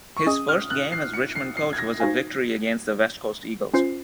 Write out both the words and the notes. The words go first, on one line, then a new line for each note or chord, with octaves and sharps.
His first game as Richmond coach was a victory against the West Coast Eagles.
C#6
C#4 G#4 D#5 D#6
F6
F#6
C7
C#7
C7
C7
G#6
A#6
D#4 F#4 C5 F5 G#5
C#4 F4 C5 C7